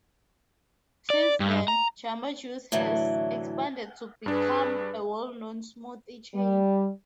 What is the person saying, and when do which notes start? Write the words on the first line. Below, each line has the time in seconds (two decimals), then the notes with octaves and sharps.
Since then, Jamba Juice has expanded to become a well known smoothie chain.
1.10 D5
1.40 G2
1.68 A#5
2.72 A2 D3 E3 F#3
4.26 G2 D4 G#4 B4
6.34 G3